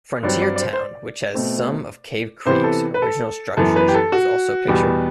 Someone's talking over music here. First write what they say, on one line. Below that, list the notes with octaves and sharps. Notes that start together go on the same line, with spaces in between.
Frontier Town which has some of Cave Creeks original structures is also pictured.
G2 F#3 C4 D5
D5
D5
C5
C5
D5
B2 A3 C4
C3 E3 B3 C5
A4
B4
A4
F#2 E3 B3 A4
B4
G4
A4
F#4
E2 B2 G3 B3